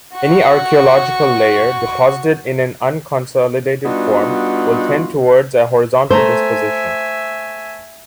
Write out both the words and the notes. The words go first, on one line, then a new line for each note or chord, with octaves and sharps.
Any archaeological layer deposited in an unconsolidated form will tend towards a horizontal disposition.
F#4 C#6
G3 B3 D4 D#4 F4 F#4
A3 C5 E5 G#5 A#5